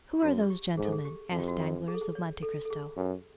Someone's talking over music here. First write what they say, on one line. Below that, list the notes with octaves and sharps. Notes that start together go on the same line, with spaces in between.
"Who are those gentlemen?" asked Danglars of Monte Cristo.
F#2 F#4
G#4
G4
G#2 G#4
A4
G#4
G4
F2 F#4
G4
F#4
G#4
A4
G#4
C#5
A4
A4
G#4
F#2 G4